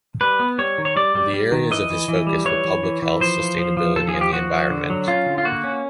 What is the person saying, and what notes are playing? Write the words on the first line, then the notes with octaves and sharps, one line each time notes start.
The areas of his focus were public health, sustainability, and the environment.
G3 B4
B3
G3 C#5
D#3
C#5
G3 D5
G3
G3
D#3
E3 D#5
E3
E3
G3
E3 C#5
E3
E3
E3
F3 C5
F3
F3
F3
F3 A4
G#4
F3
G4
F3 F#4
F3
D3
F#3
C#4 F4
D3
F4
A#3 F#4
C#4